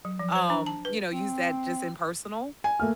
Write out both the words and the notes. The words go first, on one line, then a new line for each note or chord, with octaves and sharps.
um, you know, use that just in personal?
F#3
F3
C5
D4
A5
B4
C4
G#5
A3 A#3 F6